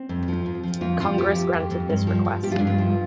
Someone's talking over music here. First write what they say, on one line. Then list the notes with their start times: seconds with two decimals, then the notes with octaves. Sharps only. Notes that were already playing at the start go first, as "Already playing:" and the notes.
Congress granted this request.
Already playing: C4
0.09 F2
0.28 F3
0.46 F2
0.63 F3
0.81 F2 F4
1.00 F3 F4
1.18 F2 G4
1.36 F2
1.53 F2
1.71 F2
1.90 G2
2.07 F3
2.25 F3
2.43 G2 G4
2.51 F4
2.58 G2 D4
2.67 F4
2.78 F3